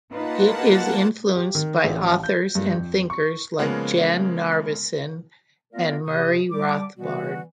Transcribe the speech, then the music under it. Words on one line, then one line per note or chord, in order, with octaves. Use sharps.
It is influenced by authors and thinkers like Jan Narveson and Murray Rothbard.
A#3 D#4 F4 B4 F#5 A5
G4
D#3
A1
G6
G2
F2
C#6
C#3 F3 G#3 A#3 B3
A3 B3 F4 A#4 D5 F5
C3 D#6
G3 D6
B2 E3 G3 B3 F#4